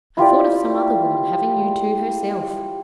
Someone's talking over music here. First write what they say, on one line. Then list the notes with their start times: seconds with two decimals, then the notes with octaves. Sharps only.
I thought of some other woman having you to herself.
0.17 E4 F4 G4 D5